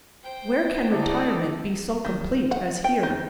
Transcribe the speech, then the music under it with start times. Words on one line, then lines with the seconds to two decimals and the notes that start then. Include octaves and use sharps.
Where can retirement be so complete as here?
0.23 C5 G5
0.90 D3 D#4 E4 F#4 A4 D5
2.05 D#3
2.51 F#5
2.84 G5
3.03 D#4